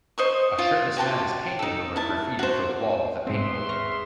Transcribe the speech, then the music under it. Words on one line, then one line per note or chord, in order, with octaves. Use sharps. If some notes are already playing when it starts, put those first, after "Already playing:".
A shirtless man is painting over a graffiti filled wall with a paint roller.
C5 D#5 C#6
F4
F#4 G4 A5 C6
D#4 A4
E4 A5
F#4 C5
G#2 C4 G#4 B4 E5 C6
C#6 F6 A#6